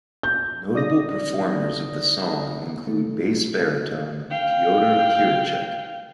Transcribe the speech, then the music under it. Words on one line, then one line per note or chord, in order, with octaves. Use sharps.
Notable performers of the song include bass-baritone Pyotr Kirichek.
G6
D#4 D5 D#6 A#6
A3
F5 G5